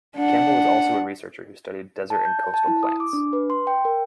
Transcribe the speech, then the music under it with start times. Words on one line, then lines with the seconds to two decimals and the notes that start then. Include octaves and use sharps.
Campbell was also a researcher who studied desert and coastal plants.
0.16 D4 F#5
2.10 A5
2.25 G6
2.54 A5
2.68 E4
2.83 D#6
3.00 D6
3.13 D4
3.33 B4
3.50 C6
3.67 G5
3.85 A#4